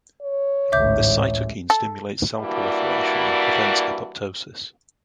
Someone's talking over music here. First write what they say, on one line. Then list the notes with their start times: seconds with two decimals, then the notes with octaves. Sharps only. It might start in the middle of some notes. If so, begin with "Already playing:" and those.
This cytokine stimulates cell proliferation and prevents apoptosis.
0.22 C#5
0.72 A1 D2 G#2 E5 D6 G6
1.70 A4
2.40 E3 G3 A#3 D4 E4 F#4